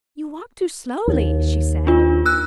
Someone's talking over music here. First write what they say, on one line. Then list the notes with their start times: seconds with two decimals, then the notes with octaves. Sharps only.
"You walk too slowly," she said.
1.08 D#2
1.87 D4 F4
2.26 E6 F#6